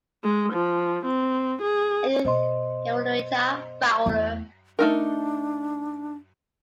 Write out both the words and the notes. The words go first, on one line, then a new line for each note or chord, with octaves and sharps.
Edith Henrietta Fowler.
G#3
F3
C4
G#4
B2 C5 D#5 C6
E2 A3
A3 D4 D#4 A#4